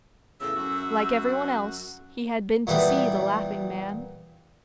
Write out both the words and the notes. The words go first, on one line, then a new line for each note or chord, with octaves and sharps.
Like every one else, he had been to see the Laughing Man.
E2 A2 C#3 E6
F#2 F#4
A#2 E3 G3 B3